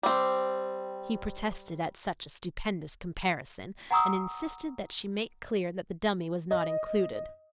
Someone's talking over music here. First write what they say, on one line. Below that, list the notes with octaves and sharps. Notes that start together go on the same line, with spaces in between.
He protested at such a stupendous comparison, and insisted that she make clear that the dummy was not included.
G3 C4
F#5 G#5 A#5 C#6 D#6 E6
D#5